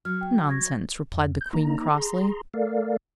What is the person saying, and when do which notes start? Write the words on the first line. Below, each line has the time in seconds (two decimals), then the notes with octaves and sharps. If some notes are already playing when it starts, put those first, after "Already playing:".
'Nonsense!' replied the queen crossly.
0.05 F#3 F6
0.21 G5
0.48 C#6 G#6 A#6
1.14 F2
1.41 G6
1.53 A#3 D#4 A#5
1.94 G#4 A#5 C6
2.54 A3 A4 A#4 D5 F5